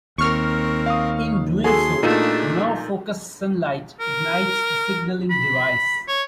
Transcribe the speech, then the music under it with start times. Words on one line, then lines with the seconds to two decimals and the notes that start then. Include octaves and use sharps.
In doing so, the now focused sunlight ignites the signalling device.
0.18 D#2 C4 A#4 C#6 F6
0.86 F5 D#6
1.64 F#4 G#4 A4 G#5 C6
2.03 A#2 A3 D4 D#4 F4
4.00 A#4
5.30 B5
6.08 C#5